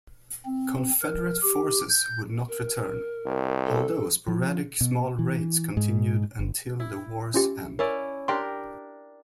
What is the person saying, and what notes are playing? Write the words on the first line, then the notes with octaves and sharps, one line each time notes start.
Confederate forces would not return, although sporadic small raids continued until the war's end.
C4
A#4
G4
G6
A#4
C2
A4
F3
B2
E3
G#2
G1
E4
C#4 F4 G4
C#4 E4 A#4 D5
D4 G4 A#4 G5 C6